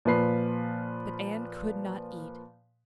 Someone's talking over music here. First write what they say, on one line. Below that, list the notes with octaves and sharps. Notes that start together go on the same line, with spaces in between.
But Anne could not eat.
A#2 F3 B4 C7